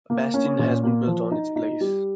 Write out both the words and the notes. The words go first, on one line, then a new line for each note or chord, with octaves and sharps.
A bastion has been built on its place.
A#3
C#4
A#2
A#3
F3
D#4
D#4
G3